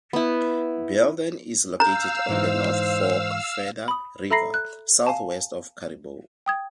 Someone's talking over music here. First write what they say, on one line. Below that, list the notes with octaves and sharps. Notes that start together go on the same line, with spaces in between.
Belden is located on the North Fork Feather River, southwest of Caribou.
B3 E4
F5 A#5 E6 G6
G#2 E3 D#4 C5
B5 D#6
A4 E5 A#5 B5 A#6 C7
F#6
F5 G#5 A5
G5 D#6 G#6